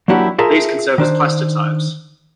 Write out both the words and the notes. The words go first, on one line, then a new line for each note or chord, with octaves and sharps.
These can serve as plastotypes.
F#3 A#3 D4 E4 F#4 G4
F4 G#4 A#4 E5 A5
D#3 D4 C5